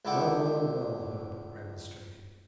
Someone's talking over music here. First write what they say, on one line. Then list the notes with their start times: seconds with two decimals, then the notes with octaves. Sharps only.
"Well, well, well!" Herbert remonstrated.
0.05 C#2 D4 E4 A4 F#5 G5